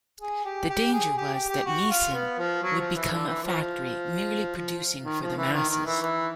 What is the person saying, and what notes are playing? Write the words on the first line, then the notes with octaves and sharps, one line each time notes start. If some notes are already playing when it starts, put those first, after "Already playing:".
The danger was that Meissen would become a factory merely producing for the masses.
G#4
G4
G4
G#4
G4
G4
G4
F#4
F4
B3
F3
F#3
F3
E3
D3
E3
F3
F3
D#3
F3
E3
D#3
D#3
E3
E3